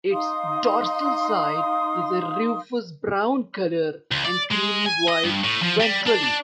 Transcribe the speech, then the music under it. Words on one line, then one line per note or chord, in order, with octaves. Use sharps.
Its dorsal side is a rufous-brown colour, and creamy-white ventrally.
D#4 F5 C6 D#6
C#2
D5
G#3
G#5
D#5
G2
A2
F3
G3
D4
D4